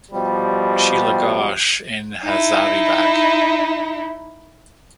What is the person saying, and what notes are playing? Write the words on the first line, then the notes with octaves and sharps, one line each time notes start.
Sheila Ghosh in Hazaribagh.
B2 F3 G3
D#4 E4